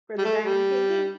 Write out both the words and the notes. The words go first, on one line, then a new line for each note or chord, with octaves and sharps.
for the diamond painting?
G3
A3
G3